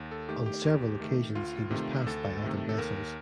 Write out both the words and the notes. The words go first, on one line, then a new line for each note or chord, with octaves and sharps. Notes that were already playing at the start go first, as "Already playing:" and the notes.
On several occasions he was passed by other vessels.
Already playing: D#2
A4
D#3 A3 G4
G4
D#2
D#3 A3
D2 F4
C3 D#3 A3
D2 A4
C3 D#3 A3
A4
D#2 A#4